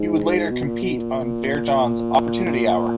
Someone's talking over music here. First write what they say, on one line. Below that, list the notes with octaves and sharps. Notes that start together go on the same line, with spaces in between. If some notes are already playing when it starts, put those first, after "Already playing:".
He would later compete on Vere Johns' "Opportunity Hour".
Already playing: G#2
B2
A#2
B2
A#2
A#2